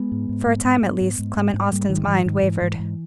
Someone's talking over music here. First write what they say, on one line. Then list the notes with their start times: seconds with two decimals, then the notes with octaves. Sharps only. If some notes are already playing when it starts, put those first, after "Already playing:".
For a time, at least, Clement Austin's mind wavered.
Already playing: G#3 B3
0.12 G#2
0.29 G#2
0.46 G#2
0.64 G#2
0.82 G#2
1.01 G#2
1.19 G#2
1.37 G#2
1.54 G#2
1.72 G#2 G3 A#3
1.89 G#2 D#3 G3
2.07 G#2 E3
2.25 G#2 D#3
2.43 G#2 E3
2.62 G#2
2.79 G#2